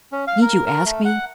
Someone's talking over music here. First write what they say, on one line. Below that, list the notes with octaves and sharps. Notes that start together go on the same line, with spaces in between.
"Need you ask me?"
C#4
F5
A#4
A#4
A3
F#5